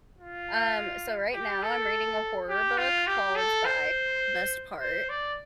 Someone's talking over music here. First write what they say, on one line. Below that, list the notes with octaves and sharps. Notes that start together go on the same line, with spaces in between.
Um, so right now, I'm reading a horror book called The Eye Best Part,
F4
G4
A4
G4
F4
G4
A4
C5
C5
D5